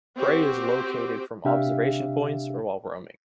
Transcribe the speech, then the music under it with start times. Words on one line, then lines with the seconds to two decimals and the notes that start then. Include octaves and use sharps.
Prey is located from observation points or while roaming.
0.17 C4 F#4 G4 C5
1.45 C3 D4 G4 E5 F5